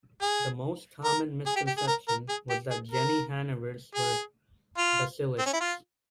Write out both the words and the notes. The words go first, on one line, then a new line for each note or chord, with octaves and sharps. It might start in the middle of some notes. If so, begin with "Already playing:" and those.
The most common misconception was that Jenny Hanivers were Basilisks.
G#4
A#4
G#4
G4
G4
G#4
A#4
A#4
G#4
G4
G#4
A#4
G#4
F4
C4
C#4
E4
F4